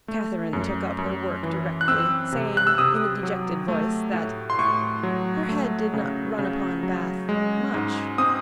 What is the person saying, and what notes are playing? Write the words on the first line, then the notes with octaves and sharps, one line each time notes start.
Catherine took up her work directly, saying, in a dejected voice, that "her head did not run upon Bath--much."
A3
F#2
F#2
E3
F#6
C4 E6
C3
F#6
E6
C3 D#6
F#3
A3
A2
C6
A2 C#6
F#3
A3
C#3
C#3
F#3
G#3
G#2
C4 D#6